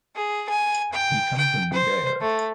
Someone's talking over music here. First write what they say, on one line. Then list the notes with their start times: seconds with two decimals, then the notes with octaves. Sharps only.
We come from Búger.
0.16 G#4
0.49 G#5
0.93 G5
1.38 G5
1.73 C5
2.21 A3